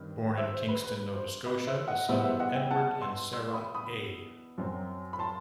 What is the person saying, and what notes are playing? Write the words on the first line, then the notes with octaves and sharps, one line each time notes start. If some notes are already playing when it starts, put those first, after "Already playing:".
Born in Kingston, Nova Scotia, the son of Edward and Sarah A.
Already playing: G2 D#3 C4
C5 E5
C5
B4
B4
C5
B4 D#5
C5 E5
D#5 F#5
E2 B2 G3 B3 C5 E5
F#5
C5 E5
D#5 F#5
E5 G5
F#5 A5
C6 E6
C6 E6
B5 D#6
B5 D#6
F#2 F#3 C4
B5
A5 C6